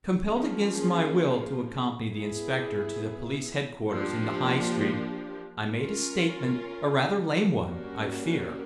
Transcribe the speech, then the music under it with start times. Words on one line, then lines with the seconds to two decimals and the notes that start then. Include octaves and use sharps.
Compelled against my will to accompany the inspector to the police head-quarters in the High Street, I made a statement--a rather lame one, I fear.
0.23 F3 A#3 C#4 F4 G#4
2.07 B3 E4 G#4
3.90 F3 A#3 D4 G4
5.73 C#4 F4 A#4
7.56 G3 A#3 C#4 F#4 A#4